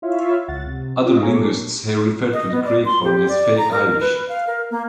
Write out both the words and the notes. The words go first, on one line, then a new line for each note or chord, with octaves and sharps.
Other linguists have referred to the "craic" form as "fake Irish".
E4 F4 C#5 E5 F5
C#2 F#5 A6
C3
C4 F4 C#5
G#4 A4 C#5 G#5 A#5 C#6
A4 A#4 D6
D#5
B3
D5
C6
G4
D5
A#5
A#4
B4
F5
A#4
A#3